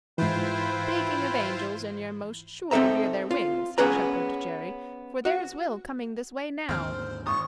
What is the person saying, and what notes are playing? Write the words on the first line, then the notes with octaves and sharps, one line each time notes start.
"Speaking of angels, and you're most sure to hear their wings," chuckled Jerry; "for there's Will coming this way now."
G#2 E3 E4 F4 B4 C5 G5 B5
C4 D#4 A4 E5 A#5
F4
B3 C#4 G#4 B4 A#5
F#4
D#2 G#2 D3 C4 C5 F6
G#1 C#6 D#6